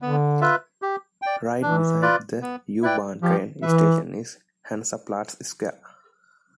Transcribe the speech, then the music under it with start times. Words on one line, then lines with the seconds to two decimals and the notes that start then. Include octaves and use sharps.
Right beside the U-bahn train station is Hansaplatz square.
0.02 D3 B3
0.41 F4 B4 E5
0.82 G4
1.22 D5 G5
1.61 E3 D4
2.02 F4 B4 D5
2.42 B3
2.82 E4 B4 D5 G5
3.22 F3 G4
3.62 E3 B4 E5